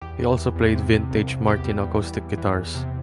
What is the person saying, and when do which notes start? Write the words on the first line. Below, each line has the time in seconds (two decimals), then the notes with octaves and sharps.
He also played vintage Martin acoustic guitars.
0.01 E2 G4
0.19 E2
0.38 E3
0.56 E2
0.75 C3
0.93 C3
1.11 C2
1.29 C2
1.47 E2 G4
1.65 G3
1.84 E2
2.02 E3
2.19 E2
2.38 E3
2.56 E2
2.75 C3